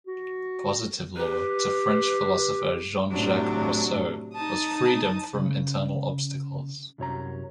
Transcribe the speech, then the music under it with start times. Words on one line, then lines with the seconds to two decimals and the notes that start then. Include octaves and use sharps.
Positive law, to French philosopher Jean-Jacques Rousseau, was freedom from internal obstacles.
0.07 F#4
1.17 G4 B4
3.11 A2 C3 F#3 D4
4.35 D#4 A5 D#6
5.34 C#3
6.98 C2 F#2 C#5 A#5